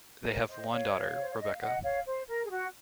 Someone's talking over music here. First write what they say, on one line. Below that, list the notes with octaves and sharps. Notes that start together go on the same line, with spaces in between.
They have one daughter, Rebecca.
A#4 C#5
C5 D#5
C#5 F5
C5
C#5
D#5
F5
D#5 F#5
C#5 F5
C5
A#4
G#4
F#4